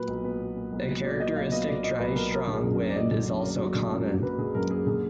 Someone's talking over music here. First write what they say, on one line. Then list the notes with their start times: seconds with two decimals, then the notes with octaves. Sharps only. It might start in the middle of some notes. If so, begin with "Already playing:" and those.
A characteristic dry strong wind is also common.
Already playing: A#2 F#3 B4
0.08 B1
0.24 B3
0.40 F#3
0.57 A#2
0.72 B1
0.88 B3
1.04 F#3 D5
1.20 A#2 D#5
1.36 B1 F5
1.52 B3 D#5
1.68 F#3 D5
1.84 A#2 D#5
2.00 B1 B4
2.16 B3 A#4
2.32 F#3 A#4
2.47 D3
2.53 G#4
2.64 F#2
2.74 A#4
2.80 A#3
2.90 D5
2.96 F#3 D#5
3.11 D3
3.27 F#2
3.43 A#3
3.59 F#3
3.75 D3
3.91 F#2
4.07 A#3
4.23 F#3 B4
4.38 D3 G#4
4.54 F#2 A#4
4.70 A#3 G#4
4.87 D3 G#4